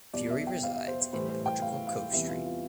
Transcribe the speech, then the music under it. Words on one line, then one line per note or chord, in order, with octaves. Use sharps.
Furey resides in Portugal Cove–St.
E2 B2 G3 D5
E5
G5
F5
E5
C5
C5
A2 E3 G3 C5
C5
G5
F5
F5
E2 C3 E3 G3 E5
F4
F4